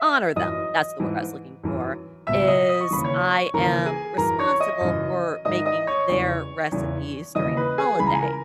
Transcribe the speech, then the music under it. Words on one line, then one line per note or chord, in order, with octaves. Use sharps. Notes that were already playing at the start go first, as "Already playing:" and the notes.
honor them, that's the word I was looking for, is I am responsible for making their recipes during the holiday.
Already playing: E5
F#2 E3 D#5 D#6
G#2 E3
F#2 E3
C#2 B2 E5 E6
D#5 D#6
D#6
C#6
D#2 C#3 E3 B5
C#5 C#6
D#2 C#3 E3 A#4 A#5
G#4 G#5
F#2 E3 A#4 A#5
C#5 C#6
D#5 D#6
F#2 C#3 E3
G#2 D#3 D#5 D#6
D#5 D#6
C#5 C#6
E2 C#3 E3
E2 C#3 E3
D#2 C#3 E3 D#5 D#6
B4 B5
G#4 G#5
C#2 C#3 E3 B5
A#5
G#5
A#4 A#5